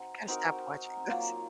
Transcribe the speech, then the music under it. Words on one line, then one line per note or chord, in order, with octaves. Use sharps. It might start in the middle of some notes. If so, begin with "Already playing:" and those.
Gotta stop watching those.
Already playing: C4 D#4 F#4
C4 D#4 F#4 A#4
F#3 A#3 F4